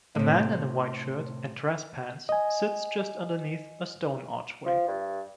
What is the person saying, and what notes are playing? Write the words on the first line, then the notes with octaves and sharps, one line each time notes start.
A man in a white shirt and dress pants sits just underneath a stone archway.
A2 C3
D#5 G#5
F3
G2